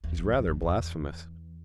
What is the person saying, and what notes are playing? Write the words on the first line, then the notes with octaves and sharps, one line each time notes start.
He's rather blasphemous.
E2
F2
F2
F2
E2